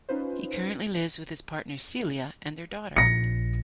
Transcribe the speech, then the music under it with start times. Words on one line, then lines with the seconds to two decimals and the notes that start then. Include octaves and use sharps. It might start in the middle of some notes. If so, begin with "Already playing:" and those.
He currently lives with his partner Celia and their daughter.
0.09 C#4 D#4 F4 B4 C5
2.96 A#1 A#6 C#7